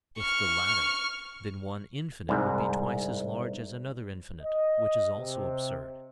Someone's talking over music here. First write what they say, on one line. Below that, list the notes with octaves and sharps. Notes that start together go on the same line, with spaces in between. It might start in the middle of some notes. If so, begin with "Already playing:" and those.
If the latter, then one infinite will be twice as large as another infinite, which is also absurd.
C#6 F6
C2 G#2
D#5
C3